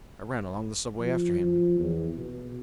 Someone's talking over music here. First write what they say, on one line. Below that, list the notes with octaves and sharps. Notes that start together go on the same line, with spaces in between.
I ran along the subway after him.
F3
F3
E2
B2